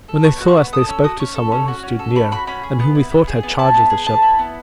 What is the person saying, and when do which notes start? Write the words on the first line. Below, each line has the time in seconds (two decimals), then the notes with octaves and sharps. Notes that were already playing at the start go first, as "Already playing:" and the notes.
When they saw us they spoke to some one who stood near, and whom we thought had charge of the ship.
0.08 A4
0.24 B3 C#6
0.40 F#4
0.48 C#6
0.57 B3
0.73 A4 D#6
0.89 C#4 E6
1.04 F#4 D#6
1.19 C#4 C#6
1.35 A4
1.52 C#4
1.68 F#4
1.83 C#4
1.99 A4
2.16 C#4 B5
2.32 F#4 B5
2.47 C#4 B5
2.63 G#4
2.80 B3
2.95 E4
3.11 B3
3.27 G#4
3.43 B3
3.59 E4 A5
3.74 B3
3.90 G#4
4.06 B3 A5
4.22 E4
4.39 B3